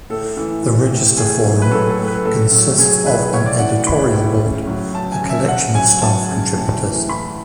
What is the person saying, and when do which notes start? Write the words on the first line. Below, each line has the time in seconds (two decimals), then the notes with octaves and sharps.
The Register Forum consists of an editorial board, a collection of staff contributors.
0.10 A2 A4
0.37 E3
0.63 E3
0.91 A2
1.17 A2 G#4
1.44 F#3
1.62 B4
1.71 F#3 A4
1.90 A4
1.98 A2
2.08 B4
2.25 A2 A4
2.52 F#3
2.78 F#3 G#4
3.05 A2 B4
3.33 A2 C#5
3.46 D5
3.59 E3 F#5
3.86 E3 B5
4.14 A2
4.41 C#3
4.67 F#3
4.94 F#3 A5
5.12 G#5
5.21 C#3
5.30 E5
5.48 C#3 F#5
5.74 F#3 G#5
6.01 F#3 A5
6.29 C#3
6.56 A2
6.83 E3
7.09 E3 B5